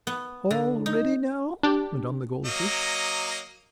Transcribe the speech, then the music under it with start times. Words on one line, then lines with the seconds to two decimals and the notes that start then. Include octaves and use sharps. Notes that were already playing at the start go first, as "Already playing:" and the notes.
"All ready now!" went on the gold fish.
0.07 B3
0.51 D3
0.86 D#4
1.63 D4 G4
2.45 F#3 A#3 D#5